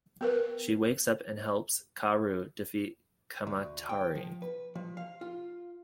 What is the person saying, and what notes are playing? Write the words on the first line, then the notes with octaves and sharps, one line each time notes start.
She wakes up and helps Kaoru defeat Kamatari.
B3 A#4 B4
D2
G5
F3
B4
F3
F5
F4